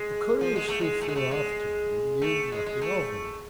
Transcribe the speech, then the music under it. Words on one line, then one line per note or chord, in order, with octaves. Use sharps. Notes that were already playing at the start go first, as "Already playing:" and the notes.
The Couriers, who flew after me, knew nothing of me.
Already playing: G#3
F3
G#3
A3
G#3
A3
G#3
A3
G#3
A3
G#3
G#3
A3